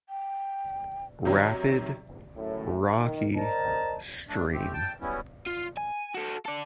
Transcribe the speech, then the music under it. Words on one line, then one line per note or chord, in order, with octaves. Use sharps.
Rapid Rocky Stream.
G5
C3 D#3 F#3
F#2 A2
D#3
A#4 C5 D5 D#5 A5 A#5
F#3 A3 D4
G#3 A3 C4 G4
G5 A5
F#3 G3 B3 C#4 E4
F4
G#5
F#4 A4
A4 D5